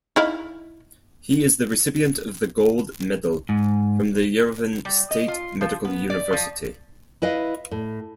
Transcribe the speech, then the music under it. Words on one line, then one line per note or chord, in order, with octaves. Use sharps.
He is the recipient of the Gold Medal from the Yerevan State Medical University.
D#4 E4 F5
G#2
G3
D#5
F4
F3
B3
D5
F3
E4 B4 D#5 F5
A2